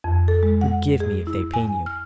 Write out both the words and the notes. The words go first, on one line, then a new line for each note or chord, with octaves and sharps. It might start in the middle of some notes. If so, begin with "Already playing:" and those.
Forgive me, if they pain you.
F2
A4
G#3
F#5
G#4
E4
G#5
F6